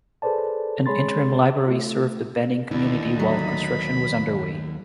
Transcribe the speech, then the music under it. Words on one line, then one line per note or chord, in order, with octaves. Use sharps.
An interim library served the Benning community while construction was underway.
G#4 A4 B4 C5 D5 A5
G#3 G#4 C#5 B5 C6 A6
A3 F4
D#2 D3 D#4 E4
F#3 B5